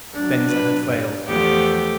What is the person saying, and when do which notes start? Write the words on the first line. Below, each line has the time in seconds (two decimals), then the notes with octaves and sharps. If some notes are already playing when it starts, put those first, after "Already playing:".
Venza had failed.
0.13 F#3 D4
0.48 B4
0.86 G2
1.27 E2 F3 A3 B3 G4